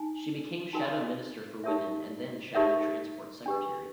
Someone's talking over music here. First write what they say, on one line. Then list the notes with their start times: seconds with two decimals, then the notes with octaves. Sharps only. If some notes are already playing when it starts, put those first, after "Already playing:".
She became Shadow Minister for Women, and then Shadow Transport Secretary.
Already playing: D#4 G#5
0.73 D#4 F#4 A#4 D#5 G#5
1.64 D#4 G4 A#4 C#5 E5
2.55 D#4 G4 A#4 C#5 E5
3.46 D4 G4 B4